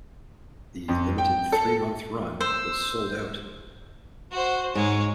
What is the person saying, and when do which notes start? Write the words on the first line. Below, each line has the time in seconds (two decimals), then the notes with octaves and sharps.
The limited, three-month run was sold out.
0.88 F2
1.18 G5
1.52 A4
2.40 C5 E6
4.32 F#4 C5
4.75 G#2 G#3 C#5